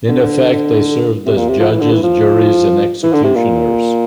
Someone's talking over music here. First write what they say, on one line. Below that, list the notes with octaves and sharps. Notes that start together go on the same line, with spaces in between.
In effect they served as judges, juries, and executioners.
D3
D3
C3
A#2
C3
F3
E3
D3
E3
F3
E3
D3
C3
A#2